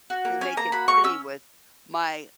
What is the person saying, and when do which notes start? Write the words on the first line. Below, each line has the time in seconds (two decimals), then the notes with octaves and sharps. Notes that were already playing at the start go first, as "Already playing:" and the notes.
then make it pretty with my
0.10 F#4
0.25 A#3
0.41 C#4 G#5
0.57 A#3 A#5
0.72 F#4 B5
0.88 A#3 C#6
1.04 C#4 E6